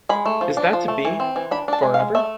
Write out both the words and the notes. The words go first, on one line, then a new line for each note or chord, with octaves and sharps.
Is that to be — for ever?
G#3 B5
A3
F3
D4
F3
A3
E3
C4
E3
D4 B5
D4 A5
G#3
F5
G#3
A3 E5